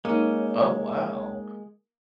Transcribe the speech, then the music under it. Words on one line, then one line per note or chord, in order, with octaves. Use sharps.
Oh wow,
G#3 A#3 C#4 D#4 C#5